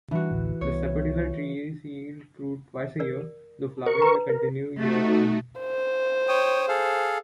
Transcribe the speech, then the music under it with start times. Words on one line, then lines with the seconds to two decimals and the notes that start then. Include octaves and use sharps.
The sapodilla trees yield fruit twice a year, though flowering may continue year round.
0.11 E3 G3 G#3 D4 F#4
0.31 A1 D2 A2
0.61 C2 B3 C#5
3.00 A#4 D5
3.86 A#4 C5 C#6
4.02 B4 A#5
4.29 A#4
4.79 A3 D#4 F#4
5.59 C5
6.28 C#5 G5 D#6
6.68 G#4 A4 F5